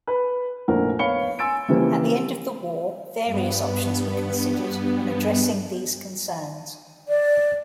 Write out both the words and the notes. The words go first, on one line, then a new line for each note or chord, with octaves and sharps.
At the end of the war, various options were considered on addressing these concerns.
B4
F1 A#1 F3 A#4 F#5
B3 C#5 F5 B5 C#7 G7
G#5 C6 E6 A6 D7
C#3 E3 F3 G3 A#3 C4
G2 B3
D5